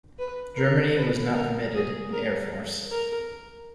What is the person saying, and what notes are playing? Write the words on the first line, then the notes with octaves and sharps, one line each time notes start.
Germany was not permitted an air force.
B4
A#4
B4
A#4
G#4
A#4
A#4